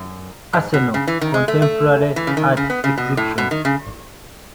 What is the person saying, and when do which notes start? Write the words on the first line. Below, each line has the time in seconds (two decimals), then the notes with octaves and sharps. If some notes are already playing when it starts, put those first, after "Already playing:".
Arsenal: contemporary art exhibitions.
Already playing: F#2
0.53 G#2
0.74 B2
0.94 C#3
1.08 E3
1.21 D#3
1.34 G#3
1.48 A3
1.62 A3
2.16 E3
2.27 C#3
2.37 D#3
2.57 C#3
2.70 B3
2.84 C#3
2.97 B2
3.17 A2
3.38 B2
3.51 D#3
3.65 C#3